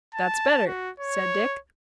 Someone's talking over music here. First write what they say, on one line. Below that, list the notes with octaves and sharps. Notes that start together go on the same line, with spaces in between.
"That's better," said Dick.
A5
F#4
C#5